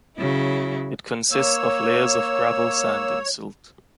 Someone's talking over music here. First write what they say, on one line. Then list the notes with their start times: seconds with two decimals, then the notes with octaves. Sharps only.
It consists of layers of gravel, sand and silt.
0.17 C#3 F#3 E4
1.32 A#3 C#5 E6